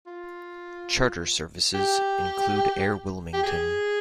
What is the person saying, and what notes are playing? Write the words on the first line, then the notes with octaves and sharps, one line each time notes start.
Charter services include Air Wilmington.
F4
G4
G4
G#4